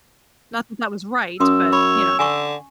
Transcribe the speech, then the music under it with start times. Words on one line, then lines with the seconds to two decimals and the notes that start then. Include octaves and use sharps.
Not that that was right, but you know.
1.40 F#2 C#4 C6 D#6 E6
1.73 C#5 B5
2.19 D3 G#5 C#6